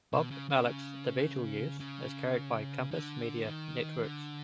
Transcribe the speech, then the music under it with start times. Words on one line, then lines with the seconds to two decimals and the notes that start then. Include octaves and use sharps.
Bob Malik's "The Beatle Years" is carried by Compass Media Networks.
0.13 B2
0.31 C#3
0.50 C#3
1.80 C#3
2.91 D3
3.44 E3
3.47 D#3
4.03 D3